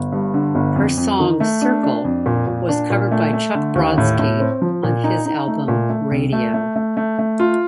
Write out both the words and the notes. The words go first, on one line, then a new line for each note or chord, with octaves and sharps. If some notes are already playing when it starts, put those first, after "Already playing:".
Her song "Circle" was covered by Chuck Brodsky on his album "Radio".
Already playing: G1
G2
D3
G1
F2
F2
D#3
A3
D4
D4
F2
A#2
A#2
D4
A#2
A3
A3
D3
D#2
A2
A2
C4
F3
A#2
D#4
D#4
A3
A#2
A3
C2
A3
A3
A3
A3
A3
F4